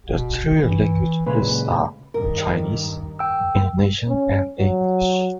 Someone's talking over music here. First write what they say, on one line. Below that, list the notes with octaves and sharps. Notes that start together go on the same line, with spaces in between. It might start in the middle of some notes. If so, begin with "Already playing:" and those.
The three languages used are Chinese, Indonesian and English.
B2
E3
A#2 C#3 G#3 B4
G2 D#3 A#4
G5 E6
C#4
F#3